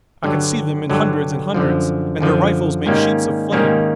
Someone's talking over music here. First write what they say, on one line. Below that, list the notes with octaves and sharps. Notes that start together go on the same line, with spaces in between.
I can see them in hundreds and hundreds, and their rifles make sheets of flame.
G2 D3 F#3
G2 D3 F#3
F#2 D3 F3
F#2 D3 F3
G#2 D#3 G3 A#3 C#4
G#2 D#3 G3 A#3 C#4